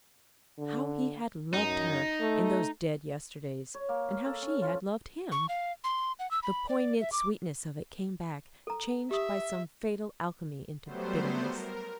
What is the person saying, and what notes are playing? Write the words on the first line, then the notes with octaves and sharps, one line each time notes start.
How he had loved her, in those dead yesterdays, and how she had loved him! The poignant sweetness of it came back, changed by some fatal alchemy into bitterness.
D3
F#2 D#4
A3
C#5
A#3
F5
A4
C#4
F4
C#6
F5
C6
F#5
E6
B5
D5
E5
D6
A4 A#5
G4 E5 D#6
F#3 G3 A3 B3 C5
A#4